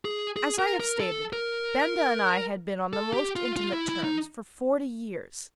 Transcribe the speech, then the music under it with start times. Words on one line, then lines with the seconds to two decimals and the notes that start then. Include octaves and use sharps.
As I have stated, Benda and I had been on the most intimate terms for forty years.
0.05 G#4
0.36 G#4
0.59 A#4
0.80 A#4
1.00 A4
1.33 A#4
2.93 A4
3.14 G4
3.36 F4
3.57 F4
3.73 E4
3.89 E4
4.04 D#4